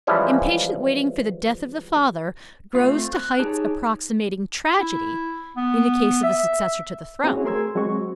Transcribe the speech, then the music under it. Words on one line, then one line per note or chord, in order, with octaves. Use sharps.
Impatient waiting for the death of the father grows to heights approximating tragedy in the case of a successor to the throne.
E3 F3 G3 G#3 C#4 E4
A3 C4 F4
F#6
D#4 G4 G#4 C#5 A5
E4
B3
E5
C4 C#4 E4 F#4 G#4 C#5
A3 G#4 A#4 C6 E6 G#6
F#3 G#3 C4 F#4 C#6